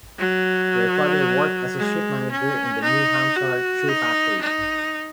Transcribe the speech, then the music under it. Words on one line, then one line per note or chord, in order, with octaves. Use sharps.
Their father worked as a shift manager in a New Hampshire shoe factory.
F#3
G#3
C#4
D#4
F#4
D#4
D#4